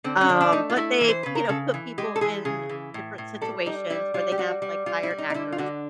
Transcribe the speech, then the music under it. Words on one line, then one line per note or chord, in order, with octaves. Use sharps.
Um, but they, you know, put people in different situations where they have, like, hired actors.
D3 C4
C#4
D3 D4
D4
A3 D#4
F4
A3 E4
E3
C5
C#3 B4
A#4
C#3 A4
E3
G#3 G4
A4
E3 G#4
C#3 G#4
E3
A2
A2
G3 A4
G3 D#4
G3 E4
G3 F4
G4
G3 F#4
G3
G3 F4
E4
G3
D#4
D#4
D3 E4
F4
D3 F#4